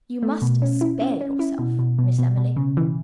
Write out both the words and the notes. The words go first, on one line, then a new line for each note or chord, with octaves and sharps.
You must spare yourself, Miss Emily.
A3
B2
C#4
E4
C#4
C#4
E4
B2
B2
B2
B2
B2
C#3
E3